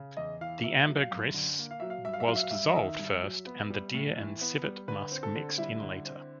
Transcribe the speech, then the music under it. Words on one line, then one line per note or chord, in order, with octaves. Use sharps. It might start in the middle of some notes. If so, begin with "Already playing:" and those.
The ambergris was dissolved first and the deer and civet musk mixed in later.
Already playing: C#3
E2 D#5
E3 F5
A#3 E5
F#3
F5
F#2
D3
A#3
F5
F#3 E5
F5
G2 E5
F5
E5
F#3 F5
E5
F5
G2 E5
D#5
D#3 E5
G2
F#3
B3
G3
A2
E3
B3
G3
D3 B4
C4
A4
D3
G3 E4
D3
C4